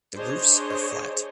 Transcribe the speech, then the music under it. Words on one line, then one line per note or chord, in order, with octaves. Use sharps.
The roofs are flat.
D4 G#4 C5 C#5 D#5